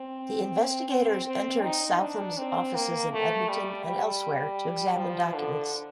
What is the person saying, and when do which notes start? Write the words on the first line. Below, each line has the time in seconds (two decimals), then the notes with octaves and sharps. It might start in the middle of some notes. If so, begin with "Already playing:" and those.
The investigators entered Southam's offices in Edmonton and elsewhere to examine documents.
Already playing: C4
0.89 C4
1.26 C4
1.63 D#4
2.00 D4
2.38 C4
2.75 A#3
3.12 A3
3.49 G3
3.86 G3
4.97 F3
5.35 D3